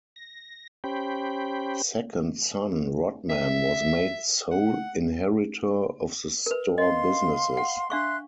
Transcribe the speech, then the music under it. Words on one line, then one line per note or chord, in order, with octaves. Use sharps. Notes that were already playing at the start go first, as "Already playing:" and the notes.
Second son Rodman was made sole inheritor of the store businesses.
A#6
C#4 G4 C5 G5 B5
E5
F#5
A#4 B4
D#5 F5 C6
F#5
D4 E5 F5 C6 C#6 F#6